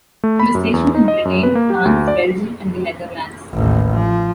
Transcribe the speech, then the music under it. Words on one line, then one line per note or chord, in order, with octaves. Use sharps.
He was stationed in Britain, France, Belgium and the Netherlands.
A3
B5
F#2
E2
D#4
D#5
F#2
B4
A#3
G4
D2
D5
A1 D#2
F3